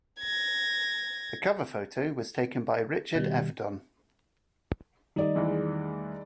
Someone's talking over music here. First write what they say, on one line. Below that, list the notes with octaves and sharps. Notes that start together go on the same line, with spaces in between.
The cover photo was taken by Richard Avedon.
G#6 A#6
B2 D#3 G3
D#3 G3 A3 D#4 D5 D#5
E2 E3 G#3